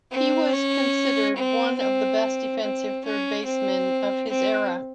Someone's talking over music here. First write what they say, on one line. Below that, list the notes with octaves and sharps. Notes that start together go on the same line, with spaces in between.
He was considered one of the best defensive third basemen of his era.
C4
C#4
C4
C4
C4
C#4
C4
C4